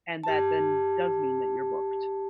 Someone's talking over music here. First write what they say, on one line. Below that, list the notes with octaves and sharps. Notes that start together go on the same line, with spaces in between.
and that, then, does mean that you're booked.
G4 A5